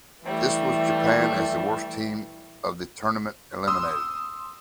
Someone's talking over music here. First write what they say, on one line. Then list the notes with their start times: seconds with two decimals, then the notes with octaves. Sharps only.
This was Japan as the worst team of the tournament eliminated.
0.24 E3 G3 A3
3.67 C6 D#6 E6